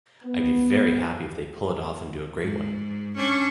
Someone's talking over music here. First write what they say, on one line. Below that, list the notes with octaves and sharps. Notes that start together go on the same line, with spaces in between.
'I'd be very happy if they pull it off and do a great one'.
B3
G#2
C#4 D4